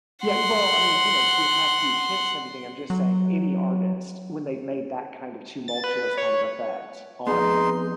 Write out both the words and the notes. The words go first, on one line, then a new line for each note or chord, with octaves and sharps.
Yeah, well, I mean, you know, she had had huge hits and everything. I'm just saying any artist when they've made that kind of tumultuous kind of effect on
F#5 C6
F#3
A6
B4
C#5
F2 B3 D#4 G#4 C6